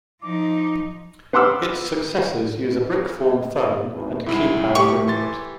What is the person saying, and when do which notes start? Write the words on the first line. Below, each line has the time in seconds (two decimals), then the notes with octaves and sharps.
Its successors use a brick form phone and a keypad for input.
0.22 F3 D#4 D6
1.33 B3 F#5 C6 D6 E6 F6
3.92 G#1 E2
4.26 C2 G#2 E4
4.75 A2 A3 G4 C#6 D#6
5.07 E3 C6 A6